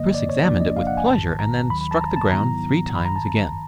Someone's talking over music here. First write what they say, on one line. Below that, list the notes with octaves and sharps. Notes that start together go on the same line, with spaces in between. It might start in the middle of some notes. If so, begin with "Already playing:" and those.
Chris examined it with pleasure and then struck the ground three times again.
Already playing: G2 D3 F3 A#3 D#5
D5
C#5
E2 C3 F3 A#3 D4 D5
D#5
F5
F#5
G#5
A1 G#2 D#3 A5
A#5
D#2 D#3 F#3 B5
B5
A5
A#5
A5
G#2 D#3 F#3 B3 E4 A#5
G#1 G2 D#3 B5
A#5
A5